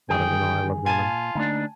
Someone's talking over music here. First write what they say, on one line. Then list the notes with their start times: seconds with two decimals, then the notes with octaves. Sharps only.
A lotta UNO; I love UNO.
0.10 D3 D#3 G3 G#4 G5
0.86 A#2 F4 G#5 A5
1.35 D3 A3 A#3 D4 D#4